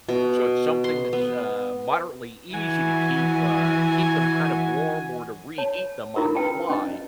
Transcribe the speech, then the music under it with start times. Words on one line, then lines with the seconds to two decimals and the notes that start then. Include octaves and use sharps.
So, it's something that's, uh, moderately easy to keep uh, keep them kind of warm or to reheat them on the fly,
0.09 B2
0.84 C6
1.13 B3
2.53 E3 F#4 G#5
5.58 C#5 A5
6.16 E4 F4 A#4
6.35 C#4 B4 G5 A5
6.70 C#4 D#5